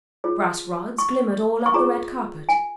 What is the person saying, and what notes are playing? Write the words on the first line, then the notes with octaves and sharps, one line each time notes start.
Brass rods glimmered all up the red carpet.
F4 G#4 C#5
C#6
C#6
F4 G#4 C#5 A#5
G#5